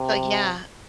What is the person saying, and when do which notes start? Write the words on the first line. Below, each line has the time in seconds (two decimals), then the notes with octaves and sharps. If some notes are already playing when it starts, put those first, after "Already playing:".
So yeah.
Already playing: C3